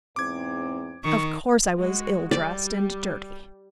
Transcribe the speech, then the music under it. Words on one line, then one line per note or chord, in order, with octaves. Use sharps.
Of course I was ill-dressed and dirty.
E2 G#2 C4 D6 G#6
D#3 C#6
G#3 F#4
G3 D5